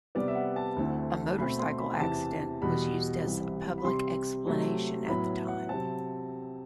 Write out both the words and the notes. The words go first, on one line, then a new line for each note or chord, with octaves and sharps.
A "motorcycle accident" was used as a public explanation at the time.
C3 G3 B3 D5
E5
F#5
A5
D2 D3 A3 C4 E4
B2 A3 C4 B5
C6
B5
E2 C3 E3 A5
E2 B2 G3 B5
C2 C3 E3
B5
C3 G3 C4 C6
C3 F#3 A3
A2 F#3 B3 B5
F#5
C3 F#3 C4 A5